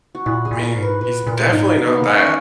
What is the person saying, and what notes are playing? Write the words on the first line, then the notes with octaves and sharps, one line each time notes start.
I mean, he's definitely not that.
F#4
A#2 E4
G#4
A#2
A#4
G#2
B4
A#2 B4
A#2 A#4
G#2 D#4
B2
B3
A#3
D#3
C#4